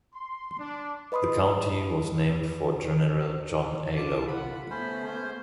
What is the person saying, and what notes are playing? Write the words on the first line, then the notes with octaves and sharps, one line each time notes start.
The county was named for General John A. Logan.
C6
D4
B4 D#5 B5 C6 D#6
D3 F4 A5 D6
F#5 B5
A3 B3 C#4 C5 B5
G6